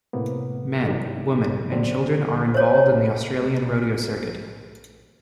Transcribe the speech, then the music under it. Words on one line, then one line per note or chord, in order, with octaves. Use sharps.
Men, women and children are involved in the Australian rodeo circuit.
A2 C3 A#3 B3
D3 E3 F#3 D#4 G4
D3 F#3 C4 D4
C5 C#5